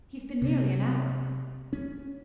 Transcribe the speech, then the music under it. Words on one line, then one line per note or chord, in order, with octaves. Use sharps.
He's been nearly an hour.
C3
C#4